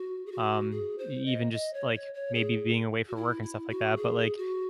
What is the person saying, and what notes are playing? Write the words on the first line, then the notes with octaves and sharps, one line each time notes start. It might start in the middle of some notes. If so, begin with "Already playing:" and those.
um, e even just, like, maybe being away for work and stuff like that. But, like,
Already playing: F#4
G#4
F#4
G#4
C5
D#5
D#5
C#5
C#5
C#5
G#4
F#4
E4
E4
F#4
G#4
F#4